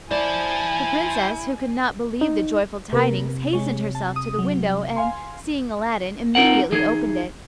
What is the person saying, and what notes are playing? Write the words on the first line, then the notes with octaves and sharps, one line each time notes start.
The princess, who could not believe the joyful tidings, hastened herself to the window, and seeing Aladdin, immediately opened it.
E4 C5 D5 G#5 A5
D#4
C3 A#3 A#4 B4
G#3 C#5
A5
D#6
F#3
F5 G#5 C6
C4 D#4 F4 A#4 F#5
E3 D#4 G#4